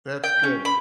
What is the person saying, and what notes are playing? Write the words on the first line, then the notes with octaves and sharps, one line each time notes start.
That's good.
G5
C#4
B5